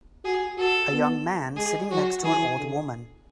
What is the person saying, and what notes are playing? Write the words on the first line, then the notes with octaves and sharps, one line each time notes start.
A young man sitting next to an old woman.
F#4 G#4
F#4 A4
B3
G#3 G#4
F#3 F#4
E3 G#4
D3